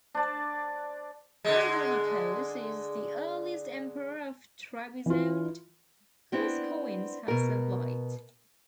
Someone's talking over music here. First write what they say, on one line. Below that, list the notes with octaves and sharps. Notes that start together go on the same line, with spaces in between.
Andronikos is the earliest Emperor of Trebizond whose coins have survived.
D4 C5 D5 A5
D3 G#3
E3 F4
B3 C4 D4 E4
B2 A#4